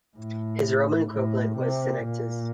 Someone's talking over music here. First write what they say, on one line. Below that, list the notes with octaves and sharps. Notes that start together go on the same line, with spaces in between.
His Roman equivalent was Senectus.
A2
A2
C3
A#2